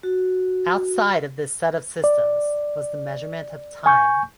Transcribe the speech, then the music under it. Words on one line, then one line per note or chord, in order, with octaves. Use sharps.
Outside of this set of systems was the measurement of time.
F#4
D5
G#5 C#6 G6